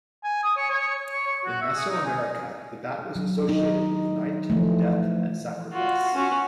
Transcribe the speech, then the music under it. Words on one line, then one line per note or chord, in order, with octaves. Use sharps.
In Mesoamerica the bat was associated with night, death, and sacrifice.
G#5
D#6
C#5
C#5
C#5
C#6
F#4
E5
G#4
D#4
G#5
F#3
D#4
E3 F3 A3
F4 F#4
C#4 F#4